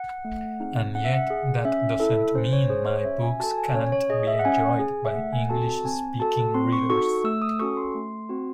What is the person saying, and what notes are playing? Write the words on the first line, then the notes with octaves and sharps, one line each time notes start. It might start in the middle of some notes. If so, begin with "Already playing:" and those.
And yet, that doesn't mean my books can't be enjoyed by English-speaking readers.
Already playing: F#5
A3
C4 D#4 G#4
C#4 F#5
E5
F#5
G#4
C#4 E5
E4 A4
C#4 C5
C#5
G#4 C5
C#5
C#4 E5
G#5
F#4 A4 A5
G#5
C#4 C#5
C#5
G#4 D#5
E5
F#5
C#4 G#5
G#4
E5
A3 F#5
G#5
C4 F#4 A4 A5
A5
C4 G#5
F#4 A4 A5
C4 C6
C#6
D#4 F#4 A4 C#6
A3 E6
D#6
C#4 F#4 A4 C#6
C6
A3
C4 F#4